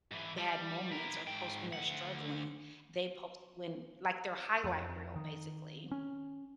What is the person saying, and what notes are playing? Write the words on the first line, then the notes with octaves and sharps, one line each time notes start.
bad moments or post when they're struggling, they post when like their highlight reel basically.
G#2 E3
G3
E4 A#4
G#2 G5
D2 F#5
F2
D#3
C#4